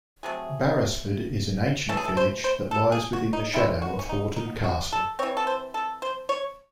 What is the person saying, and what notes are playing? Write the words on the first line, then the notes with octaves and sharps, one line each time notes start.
Barrasford is an ancient village that lies within the shadow of Haughton Castle.
C3 F#3 A3 G#4
E3 A3 C#4 A4
G#4
A4
C5
C5
A4
G#4
F#4
D#4
D#3 G#3 C#4 E4
F#4
C#4
D#4
D#4
F#4
A4
E3 C4 C#5
A4
C5
A4
C5
C#5